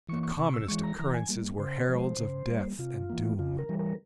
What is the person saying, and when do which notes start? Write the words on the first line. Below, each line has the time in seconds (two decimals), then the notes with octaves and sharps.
The commonest occurrences were heralds of death and doom.
0.09 E3 A#3 C#6
0.23 C#6
0.38 C3 C#6
0.54 E6
0.68 E3 G#3 C#6
0.84 A#5
0.99 E3 A#5
1.14 G#5
1.29 G3 A#3
1.59 C#3 C5
1.89 F3 G#3
2.19 C#3
2.49 G3 A#3
2.79 C3 F4
3.10 E3 A#3
3.39 C#3 F4
3.59 A#4
3.69 E3 G3
3.79 A#4